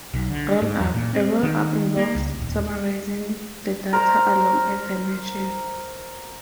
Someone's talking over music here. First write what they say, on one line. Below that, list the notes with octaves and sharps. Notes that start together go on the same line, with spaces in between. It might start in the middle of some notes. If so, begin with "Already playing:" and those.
"Roll-up": A roll-up involves summarizing the data along a dimension.
B1
D3
G#2
E2
A#2
C4
D#3
A#3
C#2
D#1
A#4 C5 A#5